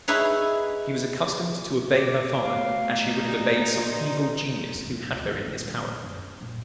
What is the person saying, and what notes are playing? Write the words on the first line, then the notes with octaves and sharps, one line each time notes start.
She was accustomed to obey her father as she would have obeyed some evil genius who had her in his power.
D#4 E4 G#4 B4 C#5
D6
B2 A3 B3 C#5 F5
A3 B3 D#4
G2 A#2
D5 C6
D#1
D2
D2
E3
E4
D#1
B3
F#2
A#2